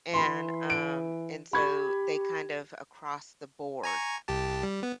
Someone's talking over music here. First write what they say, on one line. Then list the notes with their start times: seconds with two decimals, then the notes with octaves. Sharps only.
And, um, and so they kind of, across the board,
0.13 E3 B5 C6
0.70 D7
1.53 G4 B5 C#6 G#6
3.84 G#5 A#5 C#6
4.28 C2 G4 A5
4.63 G3
4.83 B3